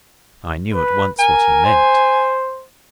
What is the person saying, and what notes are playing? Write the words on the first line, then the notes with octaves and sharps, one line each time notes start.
I knew at once what he meant.
B4
A#4 G#5
C5